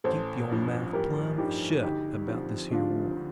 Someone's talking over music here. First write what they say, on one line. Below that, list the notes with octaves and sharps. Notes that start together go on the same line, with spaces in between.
Keep yo' mouth plum' shut about this here war.
A1 A4 C5
G2 F3
A1 G4 A#4
G2 F3 D#4 G4
D2 D#4 G4
D3 F3 C4
D2 D4 F4
D3